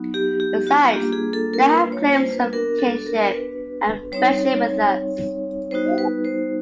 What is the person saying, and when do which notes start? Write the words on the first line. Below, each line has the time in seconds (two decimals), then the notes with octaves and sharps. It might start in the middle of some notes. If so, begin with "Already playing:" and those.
Besides they have claims of kinship and friendship with us.
Already playing: F#3 B3 D#4 F#4
0.14 G4
0.40 G4
0.67 F#4
0.93 G3 A#3 D4 F4 G4
1.13 G#4
1.33 A4
1.53 A#4
1.73 B4
1.92 C#5
2.12 C5
2.32 B4
2.52 B3 D4 F#4 A#4
2.79 A4
3.06 A#4
3.33 B4
4.12 G3 C4 D#4 C#5
5.71 G3 B3 D#4 F#4 C5
5.98 B4
6.25 C5